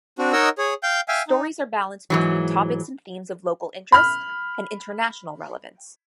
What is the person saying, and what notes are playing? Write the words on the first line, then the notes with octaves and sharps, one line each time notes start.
Stories are balanced between topics and themes of local interest and international relevance.
C4 D4 F#4
D#4 A#4 C#5 D#5 F#5 E6
G#4 C#5
F5 G5 G6
E5 F5 G5 G#5
D#4
G#2 E3 F#3
B5 F6